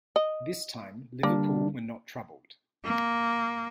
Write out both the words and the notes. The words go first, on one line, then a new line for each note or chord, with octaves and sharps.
This time Liverpool were not troubled.
D#5
D3 G3 A#3 D4
A#3